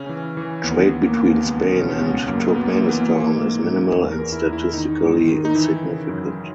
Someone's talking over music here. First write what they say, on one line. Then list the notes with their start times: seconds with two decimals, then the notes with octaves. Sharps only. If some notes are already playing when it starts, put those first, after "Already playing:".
Trade between Spain and Turkmenistan is minimal and statistically insignificant.
Already playing: C#3 C#4
0.09 E3
0.37 E3
0.64 D#2 B3
0.84 B3
0.91 D#2
1.05 A#3
1.19 D#2
1.25 B3
1.46 C#2 B3
1.73 B2 C#4
1.90 C#4
2.00 C#2 B3
2.28 F#2 A#3
2.48 B3
2.55 F#2
2.68 A#3
2.82 E3
2.89 B3
2.99 A#3
3.09 E3
3.20 A#3
3.37 G#2
3.64 G#2
3.91 E2
4.12 A#4
4.18 E2
4.32 E4
4.46 E2
4.53 E4
4.73 D#3 D#4
5.00 G#2
5.27 D#3
5.45 D#4
5.55 E3 E4
5.82 C#3
6.09 F#2